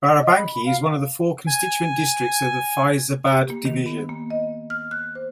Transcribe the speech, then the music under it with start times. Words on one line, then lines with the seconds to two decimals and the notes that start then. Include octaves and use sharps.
Barabanki is one of the four constituent districts of Faizabad Division.
0.22 D#5
0.37 B5
0.54 B5
0.65 F5
1.47 G#5
3.32 G4
3.50 A#3
3.65 D#3
3.86 B3
4.09 A#3
4.30 D#5
4.70 F6
4.91 F#6
5.15 C5